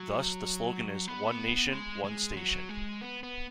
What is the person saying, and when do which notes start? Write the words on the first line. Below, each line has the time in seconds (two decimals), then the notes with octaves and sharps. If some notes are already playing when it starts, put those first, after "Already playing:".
Thus, the slogan is "One Nation, One Station".
Already playing: F#3
1.08 B3
1.73 G#3
2.04 G#3
2.37 F#3
2.69 G#3
3.01 B3
3.23 B3